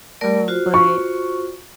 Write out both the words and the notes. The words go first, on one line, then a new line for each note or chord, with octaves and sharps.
um, but
A3 A#4 D5
F4 F#4 C5
C#6